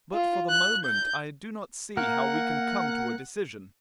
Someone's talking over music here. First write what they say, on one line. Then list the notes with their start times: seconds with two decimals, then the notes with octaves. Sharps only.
But for the moment I do not see how we can come to a decision.
0.14 F4
0.50 F#6
0.85 G6
1.97 A#3 A#4 F#5